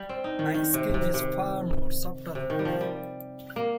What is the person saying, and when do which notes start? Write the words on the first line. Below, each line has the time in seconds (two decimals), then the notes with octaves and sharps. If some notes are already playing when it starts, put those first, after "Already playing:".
My scheme is far more subtle.
Already playing: G3
0.09 C4
0.24 D#4
0.39 D#3
0.54 D#3
0.74 C3
0.94 C3
1.14 C3
2.35 C3
2.50 D#3
2.59 G3
2.65 F3
2.81 G3
3.56 A#3